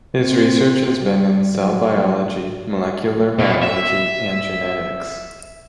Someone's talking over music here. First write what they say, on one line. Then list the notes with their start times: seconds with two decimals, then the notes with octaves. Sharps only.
His research has been in cell biology, molecular biology, and genetics.
0.18 C4
1.03 G3
1.57 F#3
3.39 B2
3.63 E5